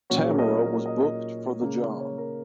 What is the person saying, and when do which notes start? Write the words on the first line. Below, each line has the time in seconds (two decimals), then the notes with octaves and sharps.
Tamara was booked for the job.
0.10 A#2 F#3 A#3 C#4 F#4
0.23 G#4
0.29 A#4
0.38 D#5
0.48 A#4
0.66 A#4
0.86 D#5
1.03 D#5
1.62 C#3 A#3 C#4
2.00 C#5
2.18 A#4